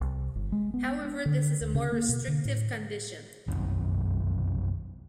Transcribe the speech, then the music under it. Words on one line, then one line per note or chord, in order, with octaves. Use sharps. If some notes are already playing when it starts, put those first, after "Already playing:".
However, this is a more restrictive condition.
C2
G1
G#3
B3
D4
D3
D2
C#3
A#3
B2
D3
A2
F1 B1 F#2 D#3